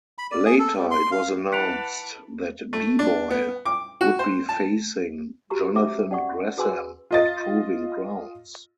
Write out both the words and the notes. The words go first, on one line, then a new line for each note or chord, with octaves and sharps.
Later, it was announced that B-Boy would be facing Jonathan Gresham at Proving Grounds.
B5
D5
G#4
A4
G3
C6
F5
E3 F#5 A5 B5 B6 D7 F7
A3
D4
B3
D6
F#4
C5
A5
F#4 G4 A#5 C#6
C#4 C5 E5 D6
C#4 D5 F#5 C#6
F#4 G#4 B4 G#5 C6 E6
F4 D#5 A6